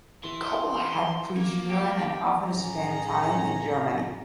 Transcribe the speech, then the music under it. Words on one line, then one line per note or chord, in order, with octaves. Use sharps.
The couple had three children and often spent time in Germany.
E3 C6
A#3
G4
A2 C#3 C#4 A#5